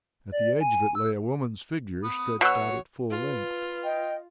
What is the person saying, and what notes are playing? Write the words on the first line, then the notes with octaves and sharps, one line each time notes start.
At the edge of it lay a woman's figure stretched out at full length.
D5
G#5
E6
B5 D#6
B2 F#4 C#5 E6 F#6
F4 B4
D#5 G5